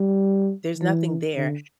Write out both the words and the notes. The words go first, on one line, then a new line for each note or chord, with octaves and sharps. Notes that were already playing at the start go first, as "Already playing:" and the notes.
there's nothing there.
Already playing: G3
E3
D3